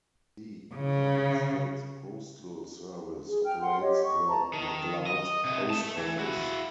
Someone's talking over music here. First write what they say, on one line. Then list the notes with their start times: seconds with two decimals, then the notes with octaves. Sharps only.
The United States Postal Service operates the McLoud Post Office.
0.75 C#3
3.29 G#4
3.44 G5 F6
3.61 F#5 C6
3.81 G4 C#5 D#5
4.03 C#6
4.28 A5 A#5
4.53 D#3
5.06 D#5
5.45 C3 D#5
5.70 A3 A5
5.98 E3
6.19 E4 F#4